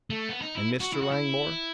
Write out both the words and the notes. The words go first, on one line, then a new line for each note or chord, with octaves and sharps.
"And Mr. Langmore?"
A3
B3
D#4
E4
F#4
E4
F#4
E4